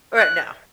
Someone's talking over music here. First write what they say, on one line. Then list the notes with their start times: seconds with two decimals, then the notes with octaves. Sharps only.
Right now.
0.17 F#6